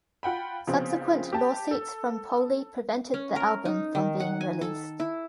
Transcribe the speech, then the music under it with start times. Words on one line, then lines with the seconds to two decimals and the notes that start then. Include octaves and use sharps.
Subsequent lawsuits from Poley prevented the album from being released.
0.23 F4 F#5 G5 B5
0.67 C#3 F3 B3 C4
1.33 G4 A5
1.71 A4
3.14 C#4
3.36 A#4
3.65 D#4
3.95 D#3
4.20 F#5
4.41 G#5
4.61 A4
5.00 E4